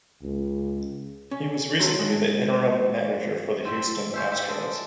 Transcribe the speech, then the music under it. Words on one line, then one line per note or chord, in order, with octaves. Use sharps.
He was recently the interim manager for the Houston Astros.
C#2
C#4
F#3 C#4 A4 C6
G#3
C4 D4 E5
C#4 C5 E5
G4 E5
G#3 D4 E5